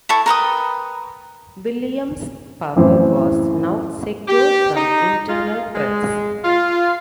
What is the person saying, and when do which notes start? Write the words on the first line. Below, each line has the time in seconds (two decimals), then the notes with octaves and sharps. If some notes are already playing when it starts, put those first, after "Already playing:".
William's power was now secure from internal threats.
0.09 E4 A4 C#6
0.26 A#4 B4 G5 D#6
2.76 F#2 A2 E3 C4
4.28 G4
4.76 D#4
5.29 F4
5.75 G#3
6.44 F4